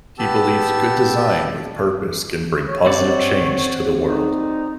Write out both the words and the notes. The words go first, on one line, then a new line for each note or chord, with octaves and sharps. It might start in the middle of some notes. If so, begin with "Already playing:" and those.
He believes good design with purpose can bring positive change to the world.
B3 G4 A5 E6
C#5
C4 F#4 D5
D#4